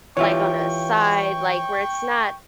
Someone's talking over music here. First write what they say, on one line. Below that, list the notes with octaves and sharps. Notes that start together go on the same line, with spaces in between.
like, on a side like, where it's not
E3 F4 G4 C#5 E5 G5 C#6